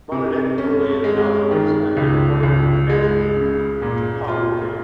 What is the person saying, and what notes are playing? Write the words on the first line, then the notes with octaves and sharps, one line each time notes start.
Monadic Boolean algebras have an important connection to topology.
C3
C#4
G#3
D#3
C#2
C#2
G#3
C#3
A#2
F4